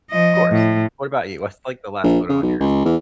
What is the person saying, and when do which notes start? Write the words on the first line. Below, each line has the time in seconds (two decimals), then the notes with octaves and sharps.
Of course, what about you, what's, like, the last photo on yours?
0.11 F3 D#5
0.52 A2
2.03 A#1
2.29 C#3
2.43 B1
2.60 C#2
2.85 E2